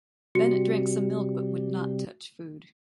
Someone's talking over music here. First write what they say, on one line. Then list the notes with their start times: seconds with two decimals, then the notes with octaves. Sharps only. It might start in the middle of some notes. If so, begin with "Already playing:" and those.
Bennet drank some milk but would not touch food.
0.35 C3 G3 F#4 C#7